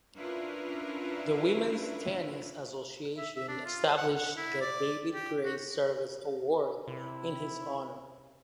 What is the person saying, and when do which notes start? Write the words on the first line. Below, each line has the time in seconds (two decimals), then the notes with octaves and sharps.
The Women’s Tennis Association established the David Gray Service Award in his honor.
0.16 C#4 D4 E4 F4 A#4 B4
3.17 E5
3.36 E5
3.48 D4
3.65 F4
3.97 F#5
4.15 F#5
4.37 E4
4.61 D5
5.14 G4
5.45 F#4
6.88 C3 E4